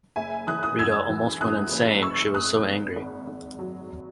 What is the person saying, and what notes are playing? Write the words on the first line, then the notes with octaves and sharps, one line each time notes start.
Rita almost went insane, she was so angry.
F#1 E5 G#5
E3 D#6 F#6
D#6 F#6
F#2 E6 G#6
E3
F#2 D#6 F#6
F#1
F#2 C#6 E6
F#1 D#6 F#6
G#1
G#1
G#1
F#3